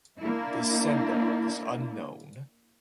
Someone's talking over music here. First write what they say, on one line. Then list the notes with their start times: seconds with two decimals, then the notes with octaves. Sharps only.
The sender was unknown.
0.18 A#3 D4 E4